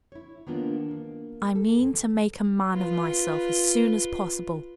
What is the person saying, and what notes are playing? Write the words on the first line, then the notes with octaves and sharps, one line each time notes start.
"I mean to make a man of myself as soon as possible."
E4 C#5
D#3 A#3 B3 D4 F4
A#3
A4
E2 G#2
F4 B4